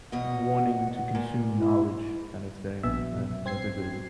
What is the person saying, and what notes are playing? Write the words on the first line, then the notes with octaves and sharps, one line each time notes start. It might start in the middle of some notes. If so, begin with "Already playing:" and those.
wanting to consume knowledge kind of thing, and that's a good
E2 B2 D#5 F#5
A#2
E4
A#1 B2 E5
C4 G#6 C7